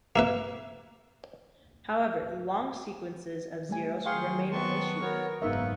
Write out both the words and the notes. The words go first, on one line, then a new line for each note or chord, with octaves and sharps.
However, long sequences of zeroes remain an issue.
A#3 E4 B4
G3 A3 G#5
D#3 F#3 G#4 F5 G5 C6 C#6
B3 C4 A5 C6 C#6
B3 F#4 A#4 C#5
F#1 G#2 A#3 B3 D#4 A#4 E5 C#6